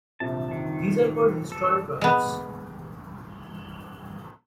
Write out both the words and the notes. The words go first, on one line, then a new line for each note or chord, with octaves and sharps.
These are called historic rhymes.
A#1 C3 A5
D#3
A4
G#3 B3